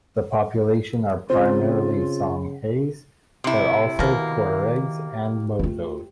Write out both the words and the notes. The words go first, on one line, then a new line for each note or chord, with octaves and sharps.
The population are primarily Songhais but also Tuaregs and Bozos.
C#3 C4 F4
C3 E4
B2 D#3 A#3
A3 F4